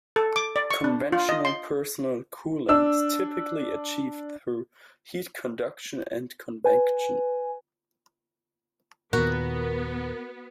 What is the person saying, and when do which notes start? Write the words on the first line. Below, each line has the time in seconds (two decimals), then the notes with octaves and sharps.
Conventional personal cooling is typically achieved through heat conduction and convection.
0.16 A4
0.36 D6
0.56 D5
0.71 C#6
0.84 D4
1.12 F4
1.29 D#5
1.45 C6
2.69 D4 E6
6.64 B4 G#5
9.13 D#2 A#2 B3 F#4 A#4